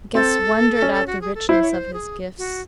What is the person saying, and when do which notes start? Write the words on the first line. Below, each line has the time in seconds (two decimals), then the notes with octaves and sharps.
The guests wondered at the richness of his gifts.
0.15 C4 A4
0.82 C#4
1.07 F#4
1.21 G#4
1.35 A4
1.49 E4 C5
1.62 C#5
1.71 C5
1.93 G#4
2.38 F#4